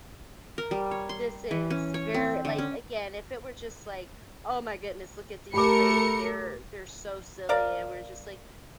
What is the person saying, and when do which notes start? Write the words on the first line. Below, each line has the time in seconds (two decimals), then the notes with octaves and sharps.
this is ver like, again, if it were just like, "Oh, my goodness, look at these crazy they're they're so silly." And we're just like
0.58 A#4
0.71 G3
0.91 C#5
1.09 C6
1.51 E3
1.70 C#4
1.94 C#5
2.14 C4
2.45 D3
2.58 C#4
5.54 A3 G4 A4 A#4 B5 D6 C#7
7.49 A#4 D5 F5